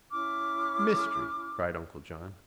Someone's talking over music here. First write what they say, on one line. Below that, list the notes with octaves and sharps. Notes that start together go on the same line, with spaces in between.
"Mystery!" cried Uncle John.
C#4 E4 D6 F6